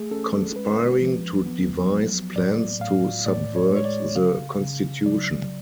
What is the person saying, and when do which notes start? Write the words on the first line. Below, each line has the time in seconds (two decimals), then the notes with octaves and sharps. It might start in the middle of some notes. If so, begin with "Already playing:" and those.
Conspiring to devise plans to subvert the Constitution.
Already playing: A3 G#4
0.11 C#4 A4
0.56 G#3 B4
1.01 F3
1.46 B3
1.91 F#3
2.35 A2 D5
2.80 A2 F5
3.26 A2 D5
3.56 C#5
3.71 G#3
3.76 C#5
3.85 D5
4.16 C#3 F5
4.60 C#3
5.06 F#3 D5